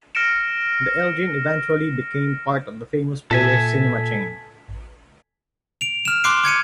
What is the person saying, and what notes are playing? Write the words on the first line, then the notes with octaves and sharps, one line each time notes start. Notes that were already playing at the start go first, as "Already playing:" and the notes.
The Elgin eventually became part of the Famous Players cinema chain.
F6 A#6 C#7 D7 E7
A#2 A4 E5 G#5
D7 F7
F6 E7
C6 D6 F#6 C7 D7
D6 G#6 C#7 D#7